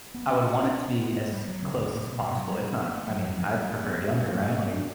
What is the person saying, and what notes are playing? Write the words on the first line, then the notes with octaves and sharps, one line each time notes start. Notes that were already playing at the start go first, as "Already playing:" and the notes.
I would want it to be as close as possible, if not, I mean, I'd prefer it younger, right, like
B3
C#4
D4
C#4
B3
B3
G3
F#3
C#3
F#2
A2
B2
B2
F#3
G3
B3
A3
F#3
F#3
E3
G3
A3
B3
C#4
A3
B3
D4